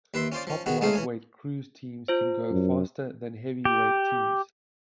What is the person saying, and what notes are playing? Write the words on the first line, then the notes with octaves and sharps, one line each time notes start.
Top lightweight crew teams can go faster than heavyweight teams.
D#2 B4 E5 C6
C#4 F4 C5 D5
F3 C#4
D#3 B3 F#4 G#4
G#3 A3 D#4 G#4 C#5 F5
E3 C#4 G#5
F4 C5
F#2
G4